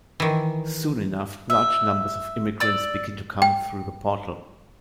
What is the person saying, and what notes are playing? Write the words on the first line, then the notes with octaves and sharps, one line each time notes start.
Soon enough, large numbers of immigrants begin to come through the portal.
D#3 E3
E5
D5 E6
G5